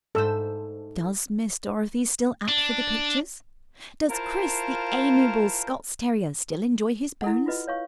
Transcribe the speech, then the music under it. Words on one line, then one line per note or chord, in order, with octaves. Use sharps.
Does Miss Dorothy still act for the pictures? Does Chris, the amiable Scots terrier, still enjoy his bones?
G#2 A4 C5 E6
D4
E4 F4 A#4 C5 F5 A5
E4 A4 F#5
F4 F#4 B4 D#5
C#5 F5 C#6